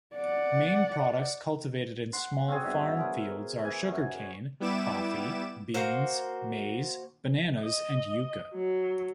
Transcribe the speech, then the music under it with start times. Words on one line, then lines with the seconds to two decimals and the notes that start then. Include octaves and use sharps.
Main products cultivated in small farmfields are sugarcane, coffee, beans, maize, bananas and yuca.
0.15 D5 F#5
2.13 F#5 C6
2.48 C4 C#4 F#4 G#4
2.63 G2 B2 E5
2.97 G#4 A#4 C5
3.61 E3 G#5
3.88 F#2
4.60 G3 B3 E4 D6 E7
5.74 A#3 F#4 C5
7.60 D#5
8.54 F#3